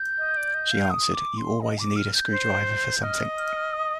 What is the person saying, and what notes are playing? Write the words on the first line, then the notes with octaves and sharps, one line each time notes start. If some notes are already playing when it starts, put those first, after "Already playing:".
She answered: You always need a screwdriver for something.
Already playing: G6
D#5
D5
D#5
F5
D#6
D6
C6
D#5
D6
F6
G6
C5
D#5 F6
F6
F6
D#6